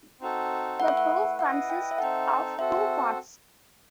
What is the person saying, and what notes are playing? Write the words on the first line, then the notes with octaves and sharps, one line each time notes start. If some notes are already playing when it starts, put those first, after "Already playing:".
The proof consists of two parts.
C4 D#4 F#4 A4
A3 E4 B4 F#5
E5
F#5
E4 B4 D#5 F#5
G5
E5
C4 D#4 A4 F#5
C4 F#4 A4 E5